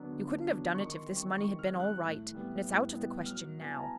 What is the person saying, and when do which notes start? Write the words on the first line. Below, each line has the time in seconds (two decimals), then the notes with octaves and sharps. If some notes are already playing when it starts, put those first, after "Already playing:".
You couldn't have done it if this money had been all right, and it's out of the question now.
Already playing: D3 F#3 B3 D4
0.12 D3
0.44 F#3 B3 D4
0.75 D#3 C#6
0.86 C#6
0.96 C6
1.06 G3 C4
1.17 C#6
1.38 D#3 C#6
1.59 F6
1.69 G3 C4
1.80 F#6
2.01 A2
2.32 E3 G3 B3
2.64 A2
2.95 E3 G3 B3
3.26 F#3 F6
3.58 B3 E4 G#5
3.71 A5
3.80 A#5